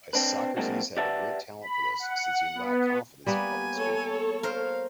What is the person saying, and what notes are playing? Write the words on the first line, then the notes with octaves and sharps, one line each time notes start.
Isocrates had a great talent for this since he lacked confidence in public speaking.
C4 D4 B4
F#3 G#3 A#3 C4 D4 F#4
G4 B4 D5 E5 F#5 A5
B5
F#5
B3
G3 A#3 B3 G#5
A4 C#5
A#4 C5 F5